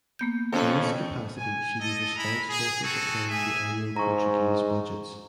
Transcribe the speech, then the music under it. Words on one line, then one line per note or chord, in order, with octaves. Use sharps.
In this capacity she was responsible for preparing the annual Portuguese budgets.
A#3 B3 G6
F2 A3 C#4 A4
G#5
A4 D#5
G#3 E4 A#5 B5
G#4
C4 F#4 G#4 A4
G#4 E5 G#5
G#2 A#5 C#6